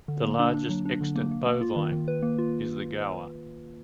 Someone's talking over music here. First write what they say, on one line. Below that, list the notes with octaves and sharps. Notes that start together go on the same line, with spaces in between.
The largest extant bovine is the gaur.
D3
A#3
D4
D4
F#3
D4
D3
A#3
A#3
A#3
F4
D#3
D#3
B4
A#3
F4